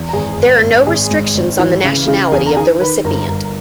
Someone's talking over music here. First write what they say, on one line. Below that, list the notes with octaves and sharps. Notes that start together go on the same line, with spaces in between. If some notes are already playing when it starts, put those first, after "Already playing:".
There are no restrictions on the nationality of the recipient.
Already playing: E2
A#5
G#1 G#4 G#5
G#1
G#1
G#1 G#4 G#5
G#2
G#1
E3
C#3
C#3
E2 G#4 G#5
A#5
D#3 G#4 G#5
D#3 B4 B5
G1 A#4 A#5
G1